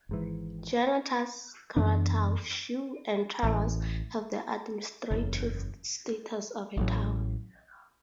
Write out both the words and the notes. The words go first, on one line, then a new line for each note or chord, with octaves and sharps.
Janatas, Karatau, Shu, and Taraz have the administrative status of a town.
G#1 G#2 E3
F#2 E3 B3 D4
A1 A2 E3
F#1 E2 C#3
A1 A2 F#3